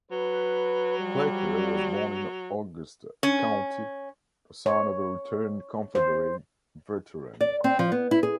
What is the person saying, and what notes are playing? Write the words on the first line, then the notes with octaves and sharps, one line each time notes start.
Plecker was born in Augusta County, the son of a returned Confederate veteran.
F#3 B4
F3 G3
C#4
C#5
C5
D5
C4
F3
B3
E4
G#4